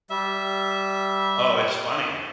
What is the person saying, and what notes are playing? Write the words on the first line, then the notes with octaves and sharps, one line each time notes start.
Oh, it's funnier.
G3 E5